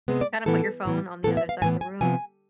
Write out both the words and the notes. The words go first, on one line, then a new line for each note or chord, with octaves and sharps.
kinda put your phone on the other side of the room.
C3 G#3 B3
D5
A2 E3 B3 A4
A2 E3 B3
A2 E3 B3 A4
E5
F5
A2 E3 B3 G#5
G#5
C3 F3 B3 G#5